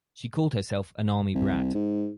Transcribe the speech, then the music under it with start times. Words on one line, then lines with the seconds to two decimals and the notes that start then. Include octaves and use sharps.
She called herself an "army brat".
1.34 C2
1.74 G#2